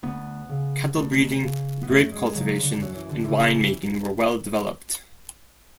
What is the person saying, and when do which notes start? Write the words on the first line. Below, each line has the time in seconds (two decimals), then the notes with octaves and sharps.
Cattle-breeding, grape cultivation and wine making were well-developed.
0.03 D2 B3
0.49 C#3
0.95 D2
1.43 C#3
1.83 B3
1.88 F#2 A3
2.12 G#3
2.35 C#3 F#3
2.59 D3
2.81 F#2 F#3
2.95 E3
3.09 D3
3.23 C#3 E3